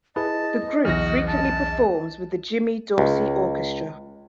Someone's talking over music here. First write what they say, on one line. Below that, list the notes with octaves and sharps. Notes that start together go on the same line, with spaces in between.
The group frequently performs with the Jimmy Dorsey Orchestra.
E4 G#4 B4 D#5 A5
B1 E2 F#4 F6 A#6
A5
C#2